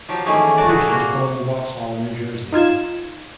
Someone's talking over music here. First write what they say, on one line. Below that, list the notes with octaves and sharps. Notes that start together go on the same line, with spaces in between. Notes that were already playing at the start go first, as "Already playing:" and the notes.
Kearse was born in Vauxhall, New Jersey.
F3 F#3 G4
D#3 E3 A3 A#3 C#4 G#4
A2 A3 F#4 D5
F#4 G#4 A4 B4
A#3 F#4
D#4 F4 G#6 E7